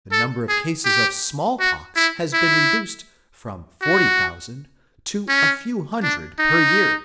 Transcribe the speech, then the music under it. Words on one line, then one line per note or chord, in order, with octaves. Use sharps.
The number of cases of small-pox has been reduced from forty thousand to a few hundred per year.
A4
G#4
G4
F#4
E4
E4
F#4
C#4
D4
D#4